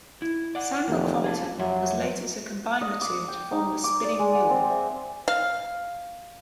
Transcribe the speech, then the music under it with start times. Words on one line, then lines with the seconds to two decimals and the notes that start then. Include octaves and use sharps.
Samuel Crompton was later to combine the two to form the spinning mule.
0.22 E4
0.55 D5 F#5
0.88 F1 F2 D#3 A#3
1.24 G#4 F5 A5
1.59 F2 F#3 F4 E5
2.81 D#5
3.01 D6
3.28 G5
3.52 D#4
3.84 D6
4.04 D5
4.19 G#3
4.35 F#5
4.50 C4
4.70 E5
5.28 F5